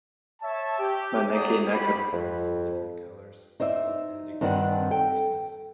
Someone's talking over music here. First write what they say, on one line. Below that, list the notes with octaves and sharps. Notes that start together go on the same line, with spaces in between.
"Maneki-neko" comes in different colors, styles and degrees of ornateness.
C#5 E5 A5
G4
F#4 G#4 D5 A#5 D#6
F#4 G4 B5
F2
D#4 C5 D5 E5
G2 D#3 C4 D4 F#5
A4 G5